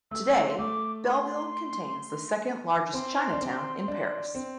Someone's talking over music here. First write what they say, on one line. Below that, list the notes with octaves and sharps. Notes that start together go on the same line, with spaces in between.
Today, Belleville contains the second-largest Chinatown in Paris.
A3 E6
C6
A3 D6
C6
C4 C6
D4
C4
D4
C4